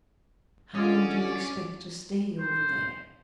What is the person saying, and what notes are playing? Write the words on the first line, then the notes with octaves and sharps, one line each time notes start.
"How long do you expect to stay over there?"
D3 C#4 F4 D5 D#5
C5